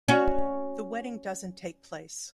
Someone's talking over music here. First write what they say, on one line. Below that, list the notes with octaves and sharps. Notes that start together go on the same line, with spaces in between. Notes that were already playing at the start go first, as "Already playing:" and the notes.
The wedding doesn't take place.
C#4 F#4